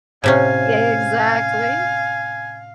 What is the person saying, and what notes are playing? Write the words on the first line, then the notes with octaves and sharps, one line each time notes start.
Yeah, exactly,
A2 C3 C#4 F5 G#5